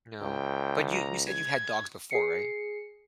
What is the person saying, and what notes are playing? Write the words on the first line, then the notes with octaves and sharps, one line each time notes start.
No. But you you said you've had dogs before, right?
C#2 G5
A#5
G#6
G#4 C7 C#7